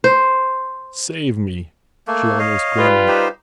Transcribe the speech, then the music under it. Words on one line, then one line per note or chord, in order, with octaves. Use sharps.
"Save me!" she almost groaned.
C5
A3 A#3
C#5 D#5 F5
G3 F4 B4
D#4 G4 C5